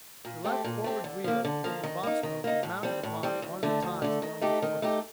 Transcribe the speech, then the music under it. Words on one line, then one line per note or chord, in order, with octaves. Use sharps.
The left forward wheel of the box-car had mounted upon one of the ties thrown before it.
A#2
A3 C4 G4
A#2
A3 C4 G4
D3
F3 A#3
D3
F3 A#3
D#3
A#3 D#4
D#3
A#3 D#4
A2
G3 C4
A2
G3 C4
D2
D3 A3
D2
D3 A3
D#3
A3 D#4 G4
D#3
A3 D#4 G4